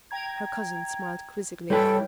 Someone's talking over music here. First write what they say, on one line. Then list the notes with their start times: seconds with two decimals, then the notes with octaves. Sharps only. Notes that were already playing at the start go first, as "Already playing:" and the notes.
Her cousin smiled quizzically.
0.11 G5 A#5 G#6
1.70 G3 E4 A4 B4 C#5 G5